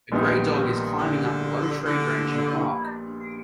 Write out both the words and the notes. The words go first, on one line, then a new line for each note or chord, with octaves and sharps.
A gray dog is climbing up a low tree branch in a park.
A#1 A#2 D#3 G3 B3 D#4
D3
D3